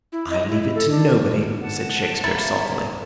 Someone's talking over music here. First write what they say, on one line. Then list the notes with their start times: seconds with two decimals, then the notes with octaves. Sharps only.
"I leave it to nobody," said Shakespeare, sulkily.
0.12 E4
0.30 D#5
0.48 E4
0.75 A4
0.91 D4
1.61 F#5 A5
2.24 A#3 E4 A6